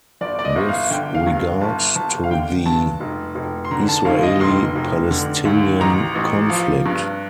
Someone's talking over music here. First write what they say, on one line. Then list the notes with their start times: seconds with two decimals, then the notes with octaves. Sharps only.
With regard to the Israeli-Palestinian conflict.
0.21 G1 D5
0.39 D5
0.45 D#5
0.56 G1
0.68 F5
0.91 D3 G5
1.15 F5
1.27 G2
1.38 F5
1.61 G1 A5
1.96 G1 A5
2.24 F5
2.31 D3 G5
2.66 G2 A5
3.00 F1
3.35 F1
3.65 C6
3.71 D3 A#5
3.89 A5
4.05 D#2 F5
4.23 D#5
4.40 F1 C6
4.75 F1
5.10 D3
5.45 D#2
5.80 A1 A#5
6.15 A1
6.50 F3
6.86 G2